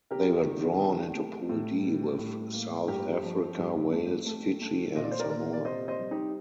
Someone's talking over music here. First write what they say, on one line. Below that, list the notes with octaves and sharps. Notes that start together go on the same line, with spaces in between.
They were drawn into Pool D, with South Africa, Wales, Fiji and Samoa.
C3 G4 A#4
D#3
C3
A3
A2
G3
A2
A#3
G2 G4 A#4
F3
G2
A3
A3
A3
A#2 D#5
D5
C5
A#4 D5
A#2 A#4 D5
D5
C3 C5 D#5
C5 D#5
G3
D#4 G4